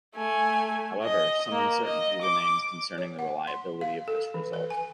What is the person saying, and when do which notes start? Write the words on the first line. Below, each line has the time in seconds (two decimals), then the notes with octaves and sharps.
However, some uncertainty remains concerning the reliability of this result.
0.16 A3 G#5
1.03 D#5
1.52 A#3
1.85 D#5
2.22 D6
2.98 C#5
3.19 F#5
3.47 C6
3.81 F5
4.08 A4
4.34 E3
4.53 B4
4.70 G#5